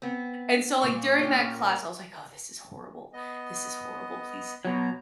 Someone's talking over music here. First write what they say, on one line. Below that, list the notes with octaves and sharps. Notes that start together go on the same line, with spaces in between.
and so, like, during that class, I was, like, "Oh, this is horrible, this is horrible, please,
B3 C4
A#2 C#6
C#4 G5
A#4
B3 D#5
B2 F#3 A#5